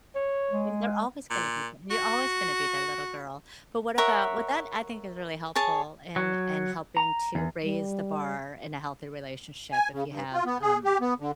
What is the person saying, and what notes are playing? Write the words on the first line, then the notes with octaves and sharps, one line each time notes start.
and they're always gonna be you're always gonna be their little girl, but what about well, that I think is really helpful, in in helping to raise the bar in a healthy relationship, if you have, um,
C#5
G#3
A#2
F#4
A#4 C#5 E5 F#5
G#4 C#5 A5
F#3
A#5
E2
G3
G#5
C#3
G2
F4
B3
G#4
G4
B3
D3